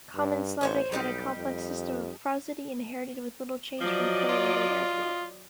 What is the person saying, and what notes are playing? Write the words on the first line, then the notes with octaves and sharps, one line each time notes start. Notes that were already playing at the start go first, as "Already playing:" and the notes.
Common Slavic had a complex system of prosody, inherited with little change from Proto-Indo-European.
G2
A1 C5 C#5 D#5
B1 G3 D#4 G4
F2
F3 F#3 D5 D#5
F4